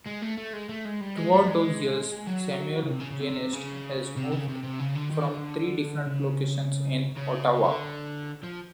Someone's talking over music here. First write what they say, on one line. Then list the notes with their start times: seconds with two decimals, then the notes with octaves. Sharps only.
Throughout those years, Samuel-Genest has moved from three different locations in Ottawa.
0.06 G#3
0.22 A3
0.37 A3
0.53 G#3
0.69 A3
0.85 G#3
1.01 G3
1.17 G#3
1.32 A3
1.48 G#3
2.27 F#3
2.83 C#3
2.90 C3
3.01 C#3
3.12 C#3
3.22 C3
3.53 C#3
4.17 C3
4.32 C#3
4.49 C3
4.64 C3
4.80 C#3
4.96 D3
5.11 D#3
5.27 D3
6.06 C#3
7.17 C#3
7.65 D3
8.43 F3